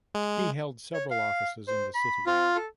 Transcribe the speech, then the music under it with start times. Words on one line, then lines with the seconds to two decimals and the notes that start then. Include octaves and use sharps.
He held several offices in the city.
0.15 G#3
0.94 C#5
1.11 F5
1.68 C5
1.95 B5
2.27 C4 F4
2.55 A4